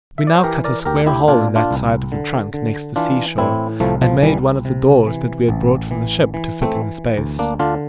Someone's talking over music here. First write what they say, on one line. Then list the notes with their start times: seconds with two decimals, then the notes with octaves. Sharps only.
We now cut a square hole in that side of the trunk next the sea shore, and made one of the doors that we had brought from the ship to fit in the space.
0.18 E5
0.27 D5
0.35 C5
0.44 E3 G4 A#4
0.64 A#4 D5
0.85 D2 G4 A#4
1.06 E4 G4
1.28 A#2 D4 F4
1.56 D4 F4
1.71 C2
2.12 D3
2.54 D3
2.96 E3 D4 F4
3.38 A2 C4 E4
3.80 C2 F3 A3
4.02 F3
4.22 C2 E3 G3
4.65 C3
5.07 E3
5.49 A1
5.91 E3
6.34 E3
6.62 A3 C4
6.75 E3
7.17 D2
7.39 A#3 D4
7.59 D3 D4 F4